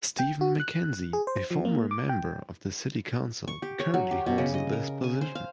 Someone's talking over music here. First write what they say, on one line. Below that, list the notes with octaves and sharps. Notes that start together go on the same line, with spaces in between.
Steven Mackenzie, a former member of the city council, currently holds this position.
G5
F#4
F#6
G#4
C5
F3
A#3
D6
G5
C#6
G4
C#5
F#3
G4
B2
C#3
D#5
A#4
G#5
C5
F5